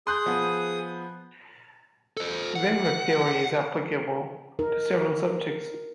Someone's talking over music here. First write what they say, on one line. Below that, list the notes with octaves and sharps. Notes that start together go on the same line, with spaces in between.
Wavelet theory is applicable to several subjects.
G#4 C6 D#6 F#6 G6
F3 B3
A4 C5
F#5
D#4 A#4